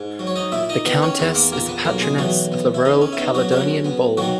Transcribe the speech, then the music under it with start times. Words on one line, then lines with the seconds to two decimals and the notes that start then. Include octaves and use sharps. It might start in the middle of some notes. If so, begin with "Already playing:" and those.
The Countess is a Patroness of the Royal Caledonian Ball.
Already playing: G#2
0.19 F#3
0.27 C#5
0.36 D#4 D#5
0.52 A#2 E4 E5
0.69 D#4 D#5
0.85 D#3 B3 B4
1.02 C#4 C#5
1.19 E2 B3 B4
1.35 A#3 A#4
1.52 A#2 A#3 A#4
1.68 B3 B4
1.85 B1 A#3 A#4
2.02 G#3 G#4
2.18 E3 F#3 F#4
2.52 B3
2.74 E4
2.85 C#3 D#4
3.02 C#4
3.13 E4
3.18 B3 D#4
3.35 F#3 F#4
3.51 C#3 F#3 F#4
3.85 B3
4.17 D#3 F#3 F#4